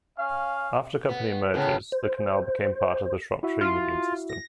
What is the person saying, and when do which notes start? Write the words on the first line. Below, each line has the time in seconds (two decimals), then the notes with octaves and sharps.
After company mergers, the canal became part of the Shropshire Union System.
0.18 C#4 F5
1.08 B3
1.54 A2 C#3 B3
1.92 C5
3.43 E4 F#4 E5
3.61 F4
4.29 A#6